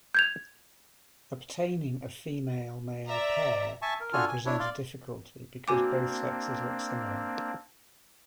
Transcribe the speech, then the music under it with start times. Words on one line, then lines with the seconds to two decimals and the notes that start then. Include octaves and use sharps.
Obtaining a female-male pair can present a difficulty because both sexes look similar.
0.15 G6 G#6 F7
3.08 D5 E5 A#5
3.82 E5 G#5 A5 C#6
4.00 A#4
4.13 D4 F4 F#4 A4 G#5 F6
4.27 G#5
4.46 D4 E4 C#5
4.60 D5 F5 C6
5.68 A#3 C4 D4 F#4 G#5 D6